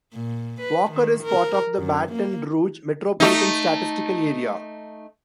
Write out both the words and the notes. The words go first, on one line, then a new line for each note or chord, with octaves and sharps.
Walker is part of the Baton Rouge Metropolitan Statistical Area.
A#2
B4
D#3
A#4
F#2
A#3
A3 D#4